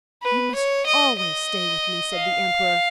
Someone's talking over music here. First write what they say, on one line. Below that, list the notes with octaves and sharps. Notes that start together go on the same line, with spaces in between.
"You must always stay with me," said the Emperor.
B4
C#5
D#5
D#5
F5